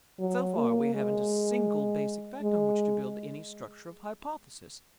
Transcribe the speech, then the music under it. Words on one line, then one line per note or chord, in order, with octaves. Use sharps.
So far we haven't a single basic fact on which to build any structure of hypothesis.
F#3
A#3
G#3
G#3